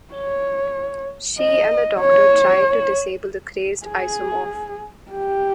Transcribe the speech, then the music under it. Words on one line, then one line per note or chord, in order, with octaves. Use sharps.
She and the Doctor try to disable the crazed isomorph.
C#5
D#5
C#5
G#4
G4